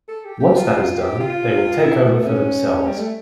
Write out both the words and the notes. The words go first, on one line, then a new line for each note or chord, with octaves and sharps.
Once that is done, they will take over for themselves.
A4
G4
G4
F4
F4
G4
F4
E4
A3
C#4
G3
A3